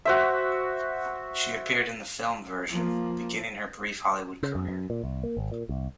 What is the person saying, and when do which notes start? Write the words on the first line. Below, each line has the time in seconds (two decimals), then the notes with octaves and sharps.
She appeared in the film version, beginning her brief Hollywood career.
0.05 F#4 C5 E5
2.70 F3 A#3
4.43 C#3
4.55 F#2
4.68 F#2
4.90 A#2
5.04 C2
5.23 A#3
5.37 G#1
5.52 A#2
5.69 C2